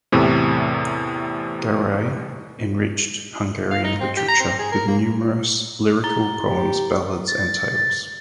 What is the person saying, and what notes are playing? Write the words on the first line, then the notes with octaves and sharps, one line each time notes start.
Garay enriched Hungarian literature with numerous lyrical poems, ballads and tales.
E2 A2 C3
F5
D#4
C4
G4
A#5
C4
G#4
A#4
A#3
A#5 A6 G7
G4
A6